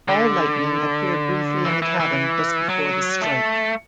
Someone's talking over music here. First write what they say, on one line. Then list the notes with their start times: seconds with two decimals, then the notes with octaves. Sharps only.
Ball lightning appeared briefly in the cabin just before the strike.
0.09 D3
1.65 E3
1.82 E3
2.00 E3
2.69 F#3
3.21 A3